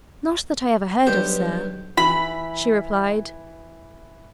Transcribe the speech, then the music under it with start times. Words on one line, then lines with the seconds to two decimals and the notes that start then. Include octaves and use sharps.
"Not that I ever heard of, sir," she replied.
1.07 B1 G2 G4 C5
1.97 E3 B5